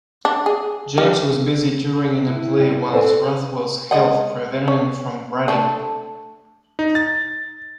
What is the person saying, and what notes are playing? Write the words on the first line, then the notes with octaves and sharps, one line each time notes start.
James was busy touring in a play whilst Rothwell's health prevented him from writing.
D4
G#4
G3
E4
G3
D5
C4 A4 B4 C5 D5 G#5
G#3 D#5 F#5
C#4 C#5
A3 D4 A4
D#4
A6